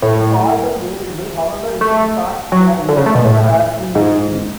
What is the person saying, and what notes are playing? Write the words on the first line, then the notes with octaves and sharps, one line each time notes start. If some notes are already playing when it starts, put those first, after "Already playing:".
To call them "variable", however, is in fact a misnomer, as we will see.
A2
A3
F#3
D3
C#3
A3
B2
A2
G#2